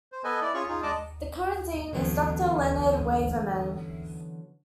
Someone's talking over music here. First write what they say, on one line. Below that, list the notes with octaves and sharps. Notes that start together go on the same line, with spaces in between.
The current dean is Doctor Leonard Waverman.
C5
B3 A4 B4 D#5 G#5
E4 D5
C#4 F4 G#4 C#5 C#6
D#4 F4 G#4
G#3 D4 D5 D#5 A5 D6
D3 E3 F#3 B3 C#4